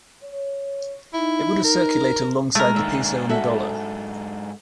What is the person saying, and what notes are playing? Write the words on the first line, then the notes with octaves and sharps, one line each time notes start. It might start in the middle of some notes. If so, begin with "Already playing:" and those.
It would have circulated alongside the peso and the dollar.
C#5
D#4 E4
A#4
G#3 A3 A#4
D#2 G#2 D4 E5
F#4 A4 E5